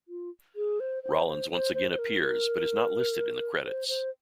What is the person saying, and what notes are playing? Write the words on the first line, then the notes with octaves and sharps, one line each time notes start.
Rollins once again appears but is not listed in the credits.
F4
G#4
C5
C5
C5
C5
C5
C5
A#4
A#4
C5
C5